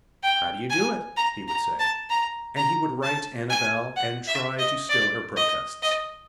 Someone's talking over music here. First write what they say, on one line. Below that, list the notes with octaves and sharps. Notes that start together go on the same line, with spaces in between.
'How do you do it?' he would say. And he would right Annabel and try to still her protests.
G5
G#5
A#5
A#5
A5
A#5
A#5
A5
G#5
F#5
E5
D#5
D5
D#5
D#5